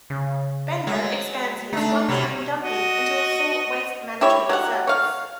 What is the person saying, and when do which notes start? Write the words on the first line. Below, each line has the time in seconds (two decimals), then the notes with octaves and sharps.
Bender expands his one-time dumping into a full waste management service.
0.10 C#3
0.87 F#3 G#3
1.73 A3 D4 D#4
2.08 C3 F#3 G3
2.59 F#4 D#5
4.21 E4 G4 C#5
4.49 F#3 G4 F#5
4.87 C#5 F5